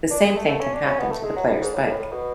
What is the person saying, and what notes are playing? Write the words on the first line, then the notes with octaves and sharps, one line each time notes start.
The same thing can happen to the player's bike.
D4
G#3
A3
A3
C#4
D4
C#4
B3
A3
G#3
F#3
A2
G#2
A2
A2
A2
B2